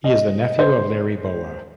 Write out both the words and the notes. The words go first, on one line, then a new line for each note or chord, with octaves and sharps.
He is the nephew of Larry Bowa.
D#5
C5